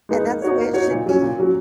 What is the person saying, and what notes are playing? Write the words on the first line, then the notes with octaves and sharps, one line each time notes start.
And, that's the way it should be.
G#3 B3 D#4
A#3
D#4 F#4 C#5
A#3
D#4 F#4 C#5
A#2
F#3 C#4
A#2
F#3 C#4